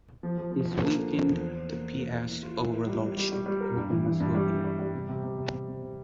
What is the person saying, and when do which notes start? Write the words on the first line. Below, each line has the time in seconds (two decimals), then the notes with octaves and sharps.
This weakened the Piast overlordship over Masovia.
0.23 F3
0.38 F3
0.52 F3
0.66 F3
0.81 A#3
0.97 D3
1.11 F3
1.25 E2
1.40 C5
1.55 C5
1.70 A#3
1.85 C5
1.99 A#3
2.14 A#3
2.29 E3
2.43 F4
2.58 E4
2.73 A#4
2.87 G3
3.02 G3
3.17 G3
3.32 G3
3.46 G3
3.61 A#4
3.76 G2
3.90 E3
4.06 E3
4.20 G2
4.35 G3
4.49 E3
4.64 G3
4.79 G3
4.94 C3
5.09 C3
5.24 C3
5.38 C3
5.52 C3
5.68 C3
5.82 C3